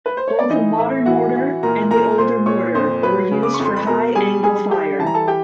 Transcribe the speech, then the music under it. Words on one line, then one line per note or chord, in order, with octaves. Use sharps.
Both the modern mortar and the older mortar were used for high angle fire.
B4
C5
C#5
D5
E3 D#4 D#5
A2 E4 E5
E3 F#4 F#5
E3
A#2 A#4 A#5
A#2 A#4 A#5
A#2 C5 C6
A#2 C#5 C#6
F2 C5 C6
F#3 B4 B5
C#3
D6
C#6
F2 C6
B5
B2 A#4 A#5
G3 G#4 G#5
G3 G#4 G#5
G3 G4 G5
E3 A5
A#5
A4 A5
G4 G5